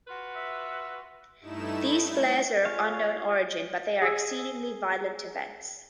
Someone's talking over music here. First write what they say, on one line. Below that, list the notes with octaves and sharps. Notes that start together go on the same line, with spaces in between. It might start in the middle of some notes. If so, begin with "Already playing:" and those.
These flares are of unknown origin, but they are exceedingly violent events.
F4 F#4 B4
E5
G2 A3 D#4 E4 E7
F4 G#4 C#5 F5
G#4 E6